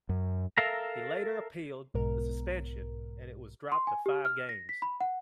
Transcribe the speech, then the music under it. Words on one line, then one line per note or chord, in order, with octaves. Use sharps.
He later appealed the suspension, and it was dropped to five games.
F#2
A4 A#4 E5 F5 A#5
B1 G#2 B2 A#4
C6
G#5
G4
F6
A#6
B6
B5
F#5